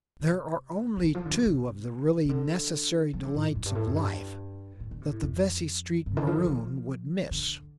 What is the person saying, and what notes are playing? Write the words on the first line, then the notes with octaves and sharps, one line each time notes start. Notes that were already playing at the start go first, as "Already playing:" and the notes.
There are only two of the really necessary delights of life that the Vesey Street maroon would miss.
C3
F3
D3
F3
D3
C3
C3
C3
D3
F3
D3
A2
F2
G2
A2
F2
G2
A2
D3
C3
A2
F2
G2
D3
F3
D3
F3
D3